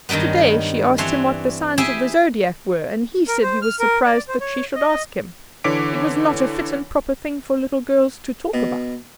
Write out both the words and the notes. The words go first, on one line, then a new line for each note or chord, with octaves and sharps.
Today she asked him what the signs of the Zodiac were, and he said he was surprised that she should ask him; it was not a fit and proper thing for little girls to talk about.
G2 D#3 F#3 G3 B3
E3 C4 D4 C#5
E4 G4 G#4 E5 G5 G#5
A#4
C5
F6
A#4
D5
C5
C#5
D#5
D#5
D3 E3 C#5 D6 B6 D7
B2